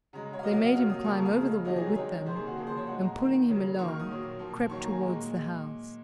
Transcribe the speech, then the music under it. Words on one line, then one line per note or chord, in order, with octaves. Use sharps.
They made him climb over the wall with them, and, pulling him along, crept toward the house.
C#3 G#3 A#5
C#5
F5
C3 F#3 A#3 D#5
F5
F#5
C3 F#3 A#3 F6
D#6
C#3 F3 A#3 C#6
A#5
F5
C#3 G#3
C3 D#3 F#3 D#5
G#4
A#4
D#3 G#3 C#5
C3 D#3 A#3 C5
G#4
F#4
C#3 F3 A#3 G#4
C5
C#5
A#2 G#3 F#5
A#5
D#3 A#3
C#3 F#3 A#3
D#3 A#3 C#6
F6
D#6
A#2 F#3 A#3
A#2 F3 A#3
D#3 F#3 A#3 C#6
A#5
G#5
A#2 G#3